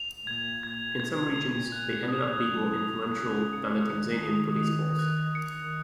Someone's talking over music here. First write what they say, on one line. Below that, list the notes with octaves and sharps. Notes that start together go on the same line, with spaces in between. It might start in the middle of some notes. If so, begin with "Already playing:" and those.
In some regions they ended up being more influential than the Tanzanian Police Force.
Already playing: F7
A#2 G#6
A#2 G#6
C3 G#6
A#2 F7
F#6
D#6
F#2 F7
F#2 D#6
C#3 F#6
C#3 C#7
D#3 C#7
D#6
F7
F#6
C#7